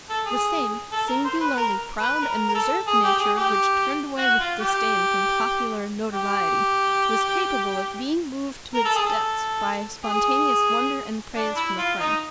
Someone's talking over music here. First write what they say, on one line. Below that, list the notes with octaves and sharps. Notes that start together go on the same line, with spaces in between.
The same singularly proud and reserved nature which turned away with disdain from popular notoriety was capable of being moved to its depths by spontaneous wonder and praise from a friend.
A4
G#4
A4
A#4
C5
B4
A#4
B4
B4
A#4
A#4
A4
G#4
G4
G#4
G4
F#4
F4
G4
G4
A#4
A4
G#4
A4
G#4
D4
E4
F4
D#4